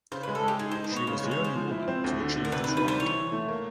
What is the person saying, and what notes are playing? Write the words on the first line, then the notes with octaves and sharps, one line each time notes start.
She was the only woman to achieve this rank.
C#3 C5
G#3 B4
A4
G#3 G4
D#4 G#4
C5
D#4
C5
B3 C#5
C#3 C5
C#5
G#3
C#5
G#3 C5
F3
E4
C4
D2
D3
D3
A#4
C3 B4
D#3 B4
B4
G3 C5
E3 C#5
E3
A3
A#3